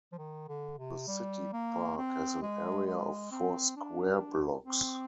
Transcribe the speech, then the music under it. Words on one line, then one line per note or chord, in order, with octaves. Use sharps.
The city park has an area of four square blocks.
F3
D#3
D3
C3
G3
A#3
C4
G#3
G#3
C4
D4
C4